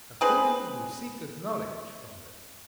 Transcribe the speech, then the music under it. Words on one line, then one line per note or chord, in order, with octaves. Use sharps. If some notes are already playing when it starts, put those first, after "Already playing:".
A fool who seeketh knowledge from them!
C4 D4 G#4 B4